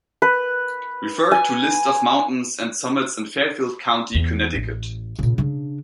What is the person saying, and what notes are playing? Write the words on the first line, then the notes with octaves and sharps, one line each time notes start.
Refer to List of Mountains and Summits in Fairfield County, Connecticut.
B4
G#5
E2
A1
A#2 C#3
C#3 D4